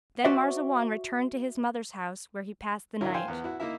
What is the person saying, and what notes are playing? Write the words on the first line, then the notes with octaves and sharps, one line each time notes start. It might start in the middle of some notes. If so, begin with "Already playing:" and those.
Then Marzawan returned to his mother's house, where he passed the night.
F#4 C5 D5 E5
D3 F#3 E4 F4 A#4 C#5
C5 F5 G5 G#5
E2 B3
E4 F#4
A#3 D#4 E4 A#4 E5